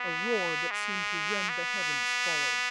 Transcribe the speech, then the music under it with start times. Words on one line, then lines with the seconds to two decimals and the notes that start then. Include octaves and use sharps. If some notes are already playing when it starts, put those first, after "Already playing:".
A roar that seemed to rend the heavens followed.
Already playing: B3
0.71 G#3
1.49 B3